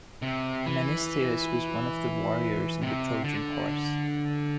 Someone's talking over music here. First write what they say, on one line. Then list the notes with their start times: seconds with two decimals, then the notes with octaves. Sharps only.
Menestheus was one of the warriors in the Trojan Horse.
0.22 C3
0.66 E3
2.82 C3
3.24 D3